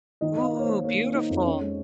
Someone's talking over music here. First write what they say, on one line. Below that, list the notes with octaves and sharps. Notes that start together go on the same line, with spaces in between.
Ooh, beautiful!
D#3 D#5
D#3 D#5
F5
D#4 C#5
C5
A#3
A#3 C#5
A#3
D#4
F2
C#4
G#3